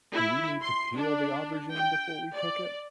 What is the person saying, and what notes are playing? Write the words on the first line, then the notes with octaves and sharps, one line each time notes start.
Do we need to peel the aubergine before we cook it?
E4
C6
D4
G5
D5